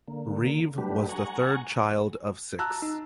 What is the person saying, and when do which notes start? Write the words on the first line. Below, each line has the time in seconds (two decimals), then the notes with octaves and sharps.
Reeve was the third child of six.
0.08 D3 A#3
0.78 F#3 G3 A3 D4 G4 B4
1.09 F#5 G#5 A#5 C#6
2.59 A5 A#5 E6 F#6
2.82 D#4